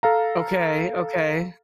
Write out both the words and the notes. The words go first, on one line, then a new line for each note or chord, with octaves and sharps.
Okay, okay.
A4 F5 A#5